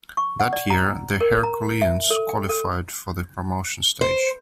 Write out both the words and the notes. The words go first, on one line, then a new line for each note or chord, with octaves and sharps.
That year, "The Herculeans" qualified for the promotion stage.
C#6
F#5
D5
A#5
A#4
A#5
E5
A4
G5
A4
C5